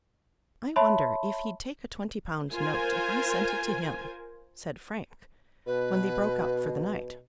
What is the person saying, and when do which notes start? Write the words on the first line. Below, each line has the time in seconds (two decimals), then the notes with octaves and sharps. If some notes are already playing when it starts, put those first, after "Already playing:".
"I wonder if he'd take a twenty-pound note if I sent it to him," said Frank, when they broke up for the night.
0.76 C#5 E5 A5 B5 C6
2.53 F4 A#4 C5 G#5
5.66 B2 B4